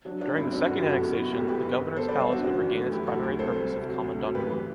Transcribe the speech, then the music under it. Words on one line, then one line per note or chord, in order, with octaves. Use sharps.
During the second annexation, the governor’s palace would regain it’s primary purpose of Kommandantur.
F#3 D4
F#3 D4
B1 C4 E4
F#2 D4
G1 D4 F#4
E4 G4
F#2 F#4 A4
B2
B2 E4
F#4
B1 G4
A4
B3 G4 B4
G1
B3
B3 A4 C5
B4 D5
G3
C5 E5
E2 D4 F#4
F#2 D4 F#4
E3
A3
F#3 E4 G4
D2 F#4 A4
D2
C2 A4 C5
G3
C3
F#3
D2
F#3
A1 G4 B4
E3